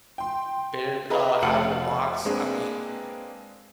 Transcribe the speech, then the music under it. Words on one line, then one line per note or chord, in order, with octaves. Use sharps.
B Bear, uh, Out of the Box. I mean,
G5 C6
G#4 B4 D#5 A#5
F1 A3 F#4 F5 C#7 F#7
G#3 A#3 C4 D4 G#4 B4